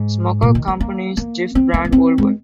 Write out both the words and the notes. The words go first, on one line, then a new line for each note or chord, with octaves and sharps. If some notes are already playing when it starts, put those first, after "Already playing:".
Smucker Company's Jif brand worldwide.
Already playing: G#2
A#2
D#3
A#3
A#3
A#3
C4
A#3
A#3
C4
G#3